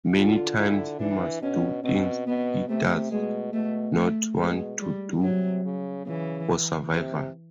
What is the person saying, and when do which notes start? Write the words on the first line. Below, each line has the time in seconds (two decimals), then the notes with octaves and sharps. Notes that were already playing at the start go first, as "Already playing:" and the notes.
Many times he must do things he does not want to do, for survival.
0.15 D3 F4
0.57 D3 E4
0.99 E3 D4
1.42 B2 C#4
1.84 B2 C4
2.27 B2 B3
2.69 C3 A3
3.11 B2 G#3
3.53 B2 A3
3.96 A3
4.37 B2 G#3
4.80 G3
5.22 C3 F#3
5.65 C#3
6.06 C#3 E3
6.91 C3